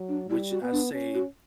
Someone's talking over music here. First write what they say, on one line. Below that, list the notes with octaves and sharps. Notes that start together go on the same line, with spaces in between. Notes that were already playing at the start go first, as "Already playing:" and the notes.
which I say
Already playing: F#3
D4
G3 E4
F#4
B3
D4
C#4
F#4